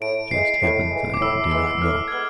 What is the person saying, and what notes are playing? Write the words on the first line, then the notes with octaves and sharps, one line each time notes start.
Just Heavens, I do not know.
A2 D7
E3 G#3 C7
A2
E3 G#3
D6
A2 E6
G#3 B3 E4 E6
E6
A2 F6
G#6
G#3 B3 F6